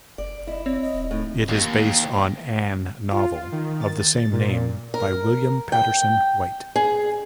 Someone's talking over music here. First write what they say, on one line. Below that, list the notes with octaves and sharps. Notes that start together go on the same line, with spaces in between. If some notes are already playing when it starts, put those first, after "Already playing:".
It is based on an novel of the same name by William Patterson White.
F#1 D5
E4 D#5
C4 C#5 D5
D#5
D#1
A2 D#4
D#2
F4
D#3
A6
A#2
A#4
G5
G#4